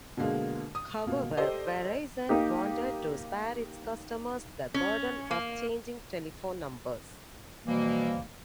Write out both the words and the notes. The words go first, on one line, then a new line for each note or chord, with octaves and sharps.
However, Verizon wanted to spare its customers the burden of changing telephone numbers.
B2 D3 G#3 A#3
D#6
B2 A#3
G4 A4 C5 D5 D#5
A#3 D#4 G4
C#4
A#3
B2 E3 F3 G3 A#3